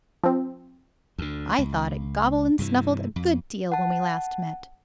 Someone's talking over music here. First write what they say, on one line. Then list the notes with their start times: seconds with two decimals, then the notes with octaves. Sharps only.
"I thought it gobbled and snuffled a good deal when we last met!"
0.24 F3 C4
1.18 D2 D3
1.58 C#2
2.59 G2 C3 E3
3.16 F2
3.72 F#5 A5